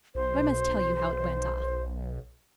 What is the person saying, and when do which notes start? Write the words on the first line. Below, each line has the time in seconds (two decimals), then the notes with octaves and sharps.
But I must tell you how it went off.
0.15 B1 C5